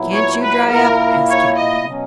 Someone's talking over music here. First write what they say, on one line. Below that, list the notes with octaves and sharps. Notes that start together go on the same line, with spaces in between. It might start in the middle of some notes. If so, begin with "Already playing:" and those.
"Can't you dry up?" asked Cap'n Bill.
Already playing: A#2 F#3 B3 E4
C#5
B4
A#2 A#3 E4 A#4
C#5
D#5
B2 F#3 C#4